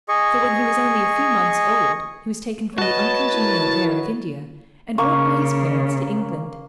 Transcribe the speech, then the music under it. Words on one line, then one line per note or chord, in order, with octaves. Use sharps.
So when he was only a few months old, he was taken from the uncongenial air of India and brought by his parents to England.
G#4 D#5 C#6
F#4 B4 C#5 D#5 A5
E4 A#4
C#3 A#3 C#6